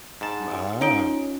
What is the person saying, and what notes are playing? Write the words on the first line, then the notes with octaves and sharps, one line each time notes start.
M ah.
G#2 A5
C#4 D#4 F4 C#5 D7 G7